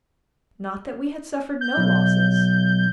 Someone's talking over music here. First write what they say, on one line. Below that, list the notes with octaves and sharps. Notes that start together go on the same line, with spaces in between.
Not that we had suffered no losses.
G6
B1